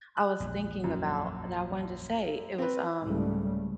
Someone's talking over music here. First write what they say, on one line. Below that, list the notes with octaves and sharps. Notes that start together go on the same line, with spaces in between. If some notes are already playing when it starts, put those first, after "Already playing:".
I was thinking about that I wanted to say. It was, um
F#6
A#1 E2
F#2
C4 B4
C2 G#2 C#3 G3 A3